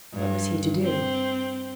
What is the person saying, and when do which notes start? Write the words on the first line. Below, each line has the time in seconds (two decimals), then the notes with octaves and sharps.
What was he to do?
0.14 G2
0.83 C4